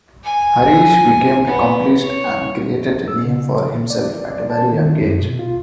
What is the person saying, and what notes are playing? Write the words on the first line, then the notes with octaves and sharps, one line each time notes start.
Harich became accomplished and created a name for himself at a very young age.
G#5
B3
C#5
E6
C#3
D5
D5
A5
D#3
F#2
B2
F4